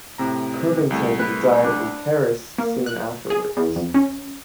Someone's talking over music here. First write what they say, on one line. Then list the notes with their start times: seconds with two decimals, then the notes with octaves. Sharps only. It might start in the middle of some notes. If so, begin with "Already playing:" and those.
Covington died in Paris soon afterwards.
0.18 A2 C3 A#5
0.91 C2 A3
1.19 B4
1.64 D4
2.58 A#3
2.86 F#6
3.30 G#4
3.57 E2
3.76 F2
3.94 C#4